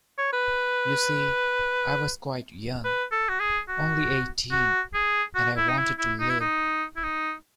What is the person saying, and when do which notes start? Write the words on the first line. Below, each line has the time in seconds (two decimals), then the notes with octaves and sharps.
You see, I was quite young — only eighteen — and I wanted to live.
0.18 C#5
0.33 B4
2.85 B4
3.12 A4
3.29 F#4
3.40 G#4
3.68 F#4
4.51 F#4
4.94 G#4
5.35 F#4
5.57 E4
5.68 D#4
5.77 E4
5.99 E4
6.20 D#4
6.29 E4
6.40 D#4
6.96 E4
7.03 D#4